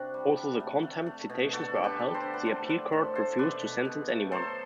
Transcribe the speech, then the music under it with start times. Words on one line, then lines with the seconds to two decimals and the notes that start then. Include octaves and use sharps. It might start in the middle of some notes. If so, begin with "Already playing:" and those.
Although the contempt citations were upheld, the appeal court refused to sentence anyone.
Already playing: C3 D4 F#4
0.14 G3
0.37 G3
0.60 A3
0.83 A3
1.06 A3
1.30 B2
1.52 D3 F#4 A4
1.76 D3
1.84 G4 B4
1.99 G3
2.14 A4 C5
2.23 D3
2.34 B4
2.46 A3 A4 C5
2.69 A3 B4 D5
2.92 A2 A4 C5
3.15 A3 A4 C5
3.39 B2 B4 D5
3.62 B2
3.85 B2
4.09 A3
4.32 F#3 A4 C5